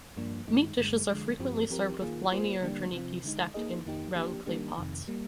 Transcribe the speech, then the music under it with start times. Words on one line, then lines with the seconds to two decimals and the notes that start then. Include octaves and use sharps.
Meat dishes are frequently served with bliny or draniki stacked in round clay pots.
0.17 G2 F3 A#3 D4
0.48 G2 D#3 G#3 D#4
0.78 G2 D3 G#3
1.09 D3 F3 G#3
1.40 G2 F3 C4 G4
1.70 F3 C4 G4 A#4
2.01 D#3 A#3 F4 G#4
2.31 A#3 F4 G#4 C5
2.62 D3 G3 A#3 D4 G4
2.92 C3 F3 C4 F4
3.24 D3 G#3 D#4
3.54 A#3 D#4 G#4 D#5
3.85 F2 D#3 A#3 D#4 G4
4.15 F3 A#3 D4 G4
4.46 D#3 G3 A#3 D4 G4
4.77 F2 C3 D#3
5.08 G3 A#3